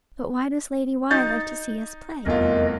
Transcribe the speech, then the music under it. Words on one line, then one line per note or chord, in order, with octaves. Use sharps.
But why does Lady Why like to see us play?
D#4 G6 A6
F1 E2 G3 A3 B3 F4 A#4 D#5